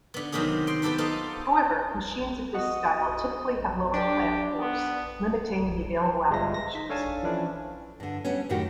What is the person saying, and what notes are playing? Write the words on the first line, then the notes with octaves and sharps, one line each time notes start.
However, machines of this style typically have lower clamp force, limiting the available applications.
D3 B3
C3 D#3 F#3 B3 G4 G#4
G5 C6
B3 G4 A4 B4 C5
B3 D#4 F4 A4 C5
F#4 D#5
D4 G4
B3
F3 C5
G1 G3 G#3 F4 E5 A#6
A#6
D#4 B6
D4 A4 C#5 F5 G#5 A5
E3 F3 C#4 D4 E4
G2 D3
G3 B3 C#4
F#2 A2 D#3 F#4 G4